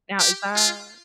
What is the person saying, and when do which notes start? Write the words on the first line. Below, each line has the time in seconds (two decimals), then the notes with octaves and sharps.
Now, is that
0.19 G4
0.56 F4